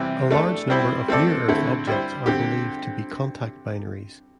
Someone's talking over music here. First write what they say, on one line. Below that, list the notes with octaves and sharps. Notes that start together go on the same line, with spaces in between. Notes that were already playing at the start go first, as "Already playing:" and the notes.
A large number of near-Earth objects are believed to be contact-binaries.
Already playing: C3 E3 G3 C4
A3 D4 A4
G3 C4 E4 C5
A3 C4 A4 D5
D3 A3 C4 E4
G3 E4 C5
D3 C4 G4